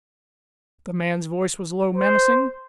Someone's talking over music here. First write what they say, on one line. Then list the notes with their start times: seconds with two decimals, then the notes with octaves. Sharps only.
The man's voice was low, menacing.
1.96 C5